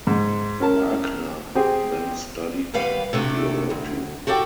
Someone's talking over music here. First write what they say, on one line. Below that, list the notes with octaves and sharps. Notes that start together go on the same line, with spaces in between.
Wagner then studied theology.
G#2
C#4 A#4 A5
C4 G4 G#4
D#2 G3 B3 B4 F5
C3 A3 D4 F#4
D2
F#4 G4 A4 D5 F5 G5